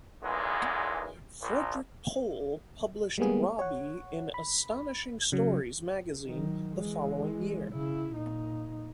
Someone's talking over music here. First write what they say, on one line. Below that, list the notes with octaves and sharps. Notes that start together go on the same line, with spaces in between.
Frederik Pohl published "Robbie" in "Astonishing Stories" magazine the following year.
B1 E2 A#2 G#3
A#1 A#2
G3 G#3 A#3 B3 G#4
C#5 F#5
B5
C#3 F#3
D#3 F#3
E3 G#3
C#3 E4
A#2 D#4